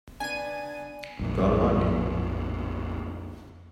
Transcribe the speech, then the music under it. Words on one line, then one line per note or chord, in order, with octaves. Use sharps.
Got it on you?
B3 D4 G#5 D#7
A#1 F2 A2